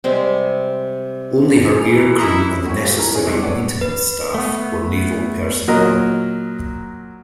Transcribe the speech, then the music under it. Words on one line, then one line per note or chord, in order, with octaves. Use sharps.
Only her air crew and the necessary maintenance staff were naval personnel.
C3 G3 G#3 C4
E3 A4 A#4 G#5 F7
E4 D#5 A#5
A#1 C#4 C#5
F3 A3 G4 B4
E4 G#4 A#4
E2 D#3 C#4 G#4
G2 C3 G#3 A3 D4 E4
A4 B4 C#5 D5 F#5
B4
A3 B3
A#2 F#3 A#4 D#5 A#5